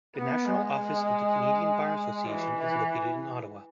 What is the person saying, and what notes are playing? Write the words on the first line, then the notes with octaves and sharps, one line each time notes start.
The national office of the Canadian Bar Association is located in Ottawa.
B3
G#3
E3
E3